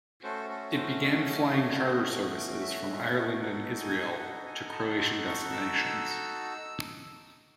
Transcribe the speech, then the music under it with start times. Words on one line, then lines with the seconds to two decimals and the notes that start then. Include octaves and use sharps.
It began flying charter services from Ireland and Israel to Croatian destinations.
0.23 A3 C#4 F#4 A4 C5
0.50 A4
0.75 C5
1.03 D#5
2.61 E5
3.01 F#5
3.40 D#4 F#4 A4 F#5
3.80 G#5
4.20 F#5
4.46 G#5
4.73 A5
4.99 C6
5.26 C#6
5.52 E6